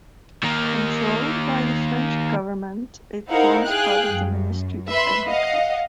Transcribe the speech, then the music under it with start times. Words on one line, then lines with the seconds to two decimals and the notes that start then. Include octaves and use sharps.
Controlled by the French government, it forms part of the Ministry of Agriculture.
0.43 D#3 A#3
3.29 D#4 E4 A#4 C5 F5 F#5
3.65 G#4 F5 G5 F#6
4.10 F#2
4.89 B4 E5 B5 C6
5.28 D#5 F5 F#5